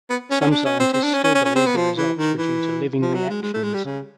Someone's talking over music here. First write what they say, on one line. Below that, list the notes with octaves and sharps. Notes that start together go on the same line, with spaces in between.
Some scientists still believe the results were due to living reactions.
B3
C#4
C#4
D4
C#4
C4
C4
D4
C#4
C#4
C#4
C#4
C4
B3
F3
E3
D#3
E3
F3
F#3
G#3
G#3
A3
G#3
G3
C#3